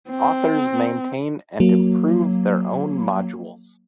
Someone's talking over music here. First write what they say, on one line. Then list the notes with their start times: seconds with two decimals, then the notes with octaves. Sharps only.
Authors maintain and improve their own modules.
0.10 C4
1.60 F#3 A#3